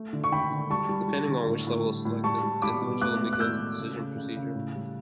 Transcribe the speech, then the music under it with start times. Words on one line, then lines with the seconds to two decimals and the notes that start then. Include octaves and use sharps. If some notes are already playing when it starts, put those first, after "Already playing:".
Depending on which level is selected, the individual begins the decision procedure.
Already playing: A3
0.13 D3
0.24 C#6
0.32 D3 G5 B5
0.51 D3
0.70 G3 A5 C#6
0.89 G3
1.08 G3
1.28 D3
1.47 A2
1.67 A2
1.86 G3
2.05 A2
2.24 G3 A5 C#6
2.43 G3
2.62 G3 B5 D6
2.82 B2
3.01 A3 D6 F#6
3.21 A3
3.33 F#6
3.40 A2 E6 G6
3.59 A3
3.79 C#3
3.98 C#3
4.17 C#3
4.36 C#3
4.55 A2
4.75 G3